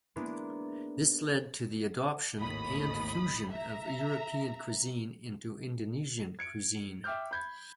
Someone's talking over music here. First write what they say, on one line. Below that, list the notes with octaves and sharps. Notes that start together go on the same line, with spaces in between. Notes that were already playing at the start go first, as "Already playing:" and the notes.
This led to the adoption and fusion of European cuisine into Indonesian cuisine.
G#3 A#3 B3 D4 E4 A#4
G#1 D#2 A2 B5 D#6
E5 A#5
G#6 C#7 D7
E5 G5 D6 F6 G6
B5 G6 G#6